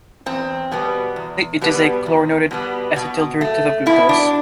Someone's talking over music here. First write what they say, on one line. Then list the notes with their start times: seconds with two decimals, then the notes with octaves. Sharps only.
Chemically, it is a chlorinated acetal derivative of glucose.
0.26 E2 C4
0.71 B2 G3 B3
1.16 E2
1.61 B2 G3 B3
2.06 E2
2.51 B2 G3 B3
2.96 B2
3.41 A3
3.86 B2 E4
4.09 D4